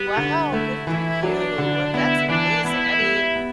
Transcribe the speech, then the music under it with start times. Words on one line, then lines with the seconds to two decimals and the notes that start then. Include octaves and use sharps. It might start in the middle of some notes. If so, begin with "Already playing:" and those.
Wow, good for you, that's amazing. I mean,
Already playing: G3 B3
0.17 D3
0.52 A3 E4
0.87 E3 E4
1.23 F#3 D4
1.58 D3
1.94 B3 E4
2.29 E3 D4
2.64 B3 E4
3.00 G3
3.36 B3